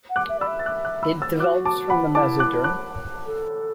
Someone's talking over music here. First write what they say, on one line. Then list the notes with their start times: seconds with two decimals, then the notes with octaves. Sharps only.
It develops from the mesoderm.
0.10 F#5
0.16 D6 F#6
0.29 E5
0.40 D5 B5 E6
0.47 E5
0.59 A6
0.66 D6 F#6
0.85 D6 F#6
1.03 B5 E6
1.22 E6 A6
1.34 E4
1.40 F#4 D6 F#6
1.65 A5 D6
1.90 F#5 B5
2.15 E4 A5 D6
2.39 D6 F#6
2.64 D6 F#6
3.26 A4